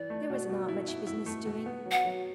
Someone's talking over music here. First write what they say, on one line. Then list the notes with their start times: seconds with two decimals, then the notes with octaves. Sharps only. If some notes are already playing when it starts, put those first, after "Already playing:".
There was not much business doing.
Already playing: E3 D5
0.10 A3
0.30 B2
0.49 B2
0.68 E4
0.88 E4
1.07 E4
1.26 A3
1.45 B2
1.66 B3
1.86 F#3
1.91 F#5
2.05 F#3